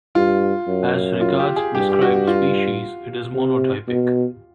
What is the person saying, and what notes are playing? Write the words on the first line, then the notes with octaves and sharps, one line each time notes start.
As regards described species, it is monotypic.
G2 F4
F#2
F4
G4
G#4
G2 G4
G4
F#4
F4
C3
B2